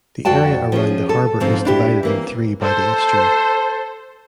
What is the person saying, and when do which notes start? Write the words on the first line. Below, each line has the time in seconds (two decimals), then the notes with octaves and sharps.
The area around the harbour is divided in three by the estuary.
0.25 F2 F#4 D5 G5 A5
0.72 F3 C#4 G#4
1.09 A4
1.40 G#2 F3 C4
1.65 D4 E4 G4
2.03 E3 A#3 C4
2.62 A4 C5